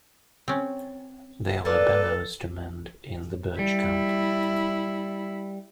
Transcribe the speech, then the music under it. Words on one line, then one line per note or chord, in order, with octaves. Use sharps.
There were bellows to mend in the Birch camp.
C4 C#4
A#3 A4 B4 D5
G3 E4